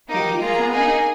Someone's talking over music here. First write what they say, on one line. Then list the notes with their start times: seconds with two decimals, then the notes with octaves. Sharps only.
Had he come?
0.09 A#3 D#4 G4 D6
0.40 A#3 F4 G#4 A#5
0.70 A#3 D#4 G#4 G#5